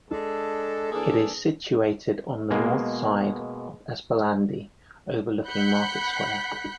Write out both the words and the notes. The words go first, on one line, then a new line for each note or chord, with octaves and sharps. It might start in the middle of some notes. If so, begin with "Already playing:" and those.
It is situated on the north side of Esplanadi, overlooking Market Square.
G#3 D4 A4
E3 A#3 D4 G#4 A4
B2 G#3 A#3
F#5 B5 F#6 G6 B6 C#7